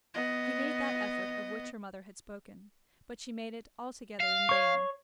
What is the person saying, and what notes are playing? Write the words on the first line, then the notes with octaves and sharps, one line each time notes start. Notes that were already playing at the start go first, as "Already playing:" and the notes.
She made that effort of which her mother had spoken, but she made it altogether in vain.
B3 D#5
F5
C#5 C#6